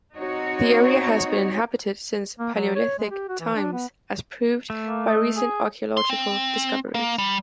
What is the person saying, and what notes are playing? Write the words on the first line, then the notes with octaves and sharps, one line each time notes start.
The area has been inhabited since Palaeolithic times, as proved by recent archaeological discoveries.
C4 D#4 F#4 C#5
A#3
F#3
C#5
G#3
G4
F#4
E3
D4
B3
A3
A#3
D#5
G#4
C6
C4
A#3
G3